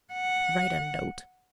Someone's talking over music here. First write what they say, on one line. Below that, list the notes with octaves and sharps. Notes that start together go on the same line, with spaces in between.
Write a note!
F#5